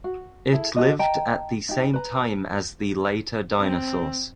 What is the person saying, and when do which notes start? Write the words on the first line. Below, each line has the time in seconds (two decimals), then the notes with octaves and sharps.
It lived at the same time as the later dinosaurs.
0.04 F#4
0.52 E4 G#4 A4
0.76 F#4 A4 D#5
0.99 D#5 G5 A5 A#5
1.69 D#4 G4
1.93 B4 A#5
3.59 C4